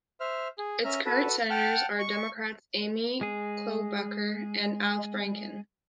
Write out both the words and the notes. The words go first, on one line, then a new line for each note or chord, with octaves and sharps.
Its current Senators are Democrats Amy Klobuchar and Al Franken.
C5 E5 F6
G#4
C#4 E5 A#5 F6
F#4 A4 B4
F#5 G5 A5 F6
C#6
G#3 G#4